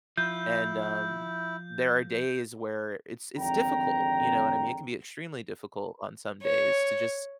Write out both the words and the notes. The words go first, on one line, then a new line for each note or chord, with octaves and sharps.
and, um, there are days where it's it's difficult, you know what I mean? It can be extremely difficult on some days to just,
F3 E4 G6
G#1 F2 D3 G5 A#5
C#5